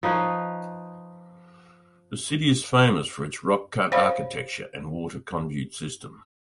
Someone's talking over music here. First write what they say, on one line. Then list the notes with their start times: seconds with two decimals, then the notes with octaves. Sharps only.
The city is famous for its rock-cut architecture and water conduit system.
0.03 F3 D#4 B4 C#5
3.92 C5 C#5 F5 B5